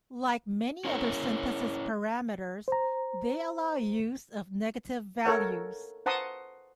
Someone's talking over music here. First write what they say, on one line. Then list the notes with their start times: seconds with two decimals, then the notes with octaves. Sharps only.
Like many other synthesis parameters, they allow use of negative values.
0.85 C#4 E4 A#4 C#5
2.68 C5 A#5
5.25 A4 A#4 C#5 F#5
6.06 C5 F#5 A5 A#5 C6 D#6